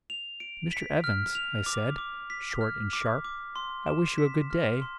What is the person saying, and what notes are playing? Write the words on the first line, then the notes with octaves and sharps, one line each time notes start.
'Mr. Evans,' I said, short and sharp, 'I wish you a good day.
F7
D7
B6
F6
F7
D6
D6
B6
F6
D6
D6
C6
E7
B6
F6
C6